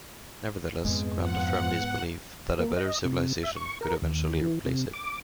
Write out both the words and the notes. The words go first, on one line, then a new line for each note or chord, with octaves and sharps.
Nevertheless, Grant affirmed his belief that a better civilization could eventually replace it.
F2 G#2 G#3 B3 E4
F3 F#5
A#3
D#5
C3
E5
C#6
A#4
D#2
E3
C3
D6